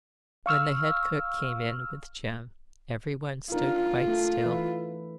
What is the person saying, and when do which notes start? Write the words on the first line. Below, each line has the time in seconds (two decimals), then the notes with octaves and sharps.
When the head cook came in with Jem everyone stood quite still.
0.46 F5 C#6 E6 F6
3.52 D4 D#4 F4 A#4
4.07 A3 A4
4.44 E3 B4 E5